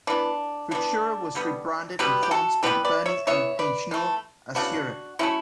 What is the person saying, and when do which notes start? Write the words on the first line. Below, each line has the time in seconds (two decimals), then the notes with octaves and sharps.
Futura was rebranded in France by Deberny and Peignot as "Europe".
0.07 E3 B3 D4
0.71 E3 B3 D4
1.35 D3 G3 B3
1.99 B2 G3 B3 G4 B4
2.23 G4
2.31 F#4 A4
2.63 E3 G3 B3 G4 B4
2.85 B4 D5
3.06 C#5 E5
3.27 E3 B3 C#5 E5
3.59 B4 D5
3.91 E3 A3
4.55 C#3 E3 B3 D4 F#4
5.19 D3 F#3 A3 C#4 E4